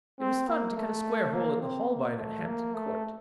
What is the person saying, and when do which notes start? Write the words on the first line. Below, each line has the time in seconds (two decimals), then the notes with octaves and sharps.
It was fun to cut a square hole in the Holbein at Hampton Court.
0.20 C4
0.48 A#3
0.77 A3
1.33 A#3
1.61 C4
1.90 A#3
2.18 A3
2.46 A#3
2.74 A3